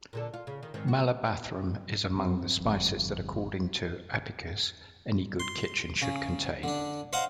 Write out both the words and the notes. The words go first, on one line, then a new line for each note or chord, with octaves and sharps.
Malabathrum is among the spices that, according to Apicius, any good kitchen should contain.
A#2 D3 A4
F4
C#3
D#3
G#2 D#3 C4
F#4
G2 C4
G1 F2
C6
C#3
D3 D4
C5 D#5 F5 F#5 A#5